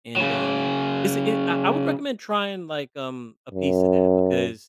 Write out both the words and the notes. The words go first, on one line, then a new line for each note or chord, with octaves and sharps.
and, um, it's a I I would recommend trying, like, um, a piece of that because
C#3 F#3
F#2